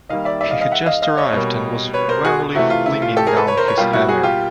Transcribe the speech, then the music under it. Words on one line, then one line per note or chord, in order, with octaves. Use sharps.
He had just arrived, and was wearily flinging down his hammer.
D#3 G3 A#3 D#5 F5
D5 E5
D5 E5
D#5 F5
D#5 F5
E5 F#5
D#5 F5
D#5 F5
C#5 D#5
B2 G3 A#3
B4 C#5
A#4 C5
F#4 G#4
C3 E3 A3 E4 F#4
F4
E4
F4
G4 A4
G#4 A#4
A4 B4
B4 C#5
A#4 C5
B4 C#5
B2 G3 A#3 F4 G4
E4 F#4
F#4 G#4
F4 G4